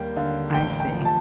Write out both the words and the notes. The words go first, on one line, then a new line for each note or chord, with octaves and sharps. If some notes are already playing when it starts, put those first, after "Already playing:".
I see.
Already playing: D#2 G3 A#3 G5
D3 F5
A1 G5
G5
F3
A5